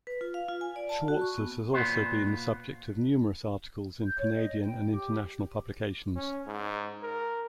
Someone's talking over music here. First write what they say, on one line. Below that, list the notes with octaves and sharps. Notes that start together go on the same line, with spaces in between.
Schwartz's has also been the subject of numerous articles in Canadian and international publications.
B4
F4
F5
F4
G#5
D5
A5
F#4
C#6
B3
A#2 B3 C5
G6
C#5
D#5
G5
G4
C#4
G#2
A#4